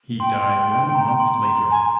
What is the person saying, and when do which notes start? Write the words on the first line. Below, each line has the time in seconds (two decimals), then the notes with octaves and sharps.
He died one month later.
0.19 G5 C6
0.95 A#5
1.20 C6
1.45 A#5
1.70 G#5